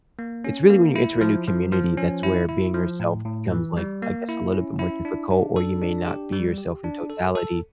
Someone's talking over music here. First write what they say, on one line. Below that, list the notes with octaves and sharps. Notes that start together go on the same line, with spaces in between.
it's really when you enter a new community, that's where being yourself becomes, like, I guess, a little bit more difficult, or you may not be yourself in totality
A#3
C#4
A#3
E4
F3
F3
F3
C#4
E4
E4
F3
A2
A2
E3
G3
A#3
E4
C#4
E4
D4
D4
A4
D4
G4
G3
G4
D4
A4
A4